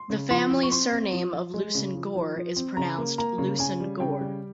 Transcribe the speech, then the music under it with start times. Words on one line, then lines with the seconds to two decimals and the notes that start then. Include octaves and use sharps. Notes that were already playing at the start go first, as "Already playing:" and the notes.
The family surname of Leveson-Gower is pronounced "Looson-Gore".
Already playing: C6
0.10 C#3
0.31 F3 C6
0.51 F3
0.63 C#6
0.72 C4 C6
0.92 C4
1.13 F3
1.33 F3
1.54 G#3
1.75 C#3
1.95 F3
2.15 F3
2.36 F3
2.56 C4
2.77 C#3 A#5
2.98 A#3
3.18 A#3 A#5
3.38 C#3
3.59 C#3 G#5
3.80 G3
4.00 C#3 G5
4.21 G3